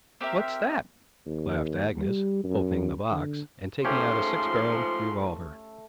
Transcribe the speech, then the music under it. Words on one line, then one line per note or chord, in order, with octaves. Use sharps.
"What's that?" laughed Agnes, opening the box and taking out a six-barrelled revolver.
C4 G4 A#4 E5
D#2
G3
F#2
D3
G#2 F3 A3 C#4 G4 A4 C6